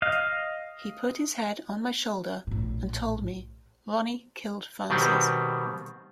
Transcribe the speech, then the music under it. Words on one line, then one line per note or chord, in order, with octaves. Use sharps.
He put his head on my shoulder and told me Ronnie killed Frances.
D#5 F5
A#1 A2
B2 D#3 G3 B3 C4